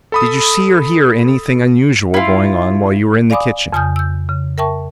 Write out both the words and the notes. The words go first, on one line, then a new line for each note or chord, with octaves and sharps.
"Did you see or hear anything unusual going on while you were in the kitchen?"
A4 B5 D#6
E4 F4
D5 F5 G#5 B5 D6 D#6
F2 C#3 G#5 D#6 F6 G6
E6 G6
C#3
A#4 E5 G5 A5 C#6